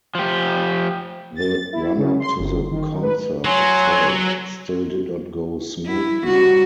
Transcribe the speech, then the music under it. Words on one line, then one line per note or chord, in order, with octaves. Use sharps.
The run-up to the concert itself still did not go smoothly.
F3 G4
A6
E4
C#3
C6
G1
D#3
B4
F#3 C#5 G#5 C6
E4
G3 F#4